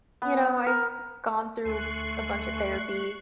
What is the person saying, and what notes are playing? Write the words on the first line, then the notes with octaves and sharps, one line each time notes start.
you know, I've gone through a bunch of therapy,
B3
A#4
D2 A3 A4 G#5 C6 C#6 F#6 C7